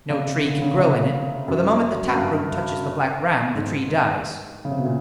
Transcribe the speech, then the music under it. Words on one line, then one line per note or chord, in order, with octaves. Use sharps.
No tree can grow in it, for the moment the taproot touches the Black Ram the tree dies.
C#3
C3
D3
C#3
C3
F#2
F#2
G2
G#2
C#3
C3
B2
A#2